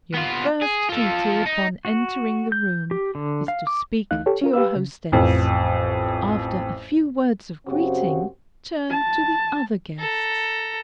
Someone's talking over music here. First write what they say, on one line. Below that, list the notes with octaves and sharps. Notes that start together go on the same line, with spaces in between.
Your first duty, upon entering the room, is to speak to your hostess. After a few words of greeting, turn to the other guests.
B3 F4
G#4
F4 A4
D#4
F#4
G6
G4
D3
F5
D6
D2 E3 A3 D#4 F5 F#6
G4 A4 C#5
C#4 F4 A#4
G4 B4 F5 E6
C#3
A1 F2
F#2 C#3 C4 F#4 G4 C5
A5
A4 A#5